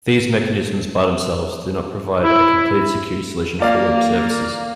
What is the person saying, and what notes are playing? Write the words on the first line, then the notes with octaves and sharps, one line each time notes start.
These mechanisms by themselves do not provide a complete security solution for Web services.
E4
A#3 F4 D5 F5